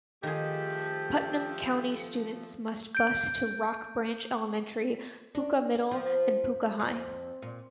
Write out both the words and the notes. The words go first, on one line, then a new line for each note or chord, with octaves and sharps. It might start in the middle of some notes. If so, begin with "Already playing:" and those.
Putnam County students must bus to Rock Branch Elementary, Poca Middle, and Poca High.
D#3 F3 A3 G4 G#4
G6 D7
D4
F3
F2
A#2